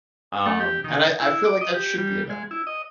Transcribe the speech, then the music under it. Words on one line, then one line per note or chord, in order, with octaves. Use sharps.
Um, and I I feel like that should be enough.
A3
G4
D#3
E4
D6
D#5
G4
G3
G#3
E4
D#5